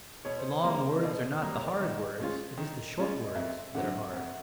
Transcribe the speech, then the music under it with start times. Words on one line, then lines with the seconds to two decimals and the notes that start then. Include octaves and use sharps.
The long words are not the hard words, it is the short words that are hard.
0.25 B2 C#5
0.38 C5
0.50 C#5
0.64 G3 A#3
0.95 D#5
1.03 B2 D5
1.42 G3 A#3
1.54 C#5
1.68 D5
1.80 D#3 D#5
2.20 G#3 C#4 F4
2.58 D#3
2.97 G#3 C#4 F4
3.25 D#5
3.35 F2 E5
3.75 D3 F#3 F#5
4.13 F2 F#5